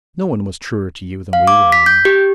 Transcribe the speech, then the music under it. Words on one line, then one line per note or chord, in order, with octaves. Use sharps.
No one was truer to you than we were, you know.
F5
D6
B6
G6
G4